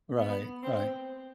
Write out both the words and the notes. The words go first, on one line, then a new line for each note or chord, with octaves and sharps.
Right. Right.
B3
C4